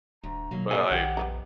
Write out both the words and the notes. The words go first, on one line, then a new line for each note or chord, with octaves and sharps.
but like
D#1 D2 A#5
B2 D#3 F#3 A#3
C3 A#3 G#4 A#4 D5 F5 G#5
A#1 D#3 G4 F#5
F2 G3 B3 A#5